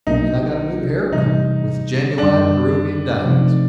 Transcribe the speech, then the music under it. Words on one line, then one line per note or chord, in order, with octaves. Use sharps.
And I got a new hair-comb, with genuine Peruvian diamonds.
B1 B2 F#3 A#3 D4 D#4
C3 E3 G3 D#4
F#2 D3 G3 D4
C3 F3 A3 C4 D#4